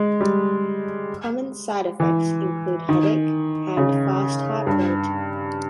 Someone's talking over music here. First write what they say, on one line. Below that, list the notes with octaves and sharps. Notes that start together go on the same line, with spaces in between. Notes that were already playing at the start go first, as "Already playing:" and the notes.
Common side effects include headache and fast heart rate.
Already playing: G#3
G3
E3
D#3
C#3
G2